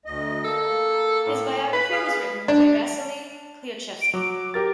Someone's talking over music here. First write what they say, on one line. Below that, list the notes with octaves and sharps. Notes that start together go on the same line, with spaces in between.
His biography was written by Vasily Klyuchevsky.
D2 D#5
A#3 A4
A2
B4
G#4 F5
D4
D7
F#3 D6
G4 A#4 A6